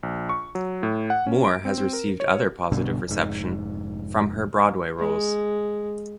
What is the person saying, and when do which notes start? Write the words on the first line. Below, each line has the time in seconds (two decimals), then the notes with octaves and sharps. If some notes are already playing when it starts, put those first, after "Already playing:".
Moore has received other positive reception from her Broadway roles.
0.03 A#1
0.29 C#6
0.55 F#3
0.83 A2
1.10 F#5
1.27 C#4
1.45 D7
1.65 C4
1.78 C4
1.93 A#4
2.20 C#5
2.72 B1 G2 B2 D3
3.08 F1 G#2
4.99 G#3